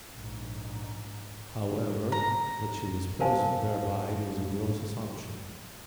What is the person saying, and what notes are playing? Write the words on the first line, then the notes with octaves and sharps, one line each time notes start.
However, that she was poisoned thereby was a gross assumption.
A#1 G#2
A#5
A#4 C5 F5 G#5 A5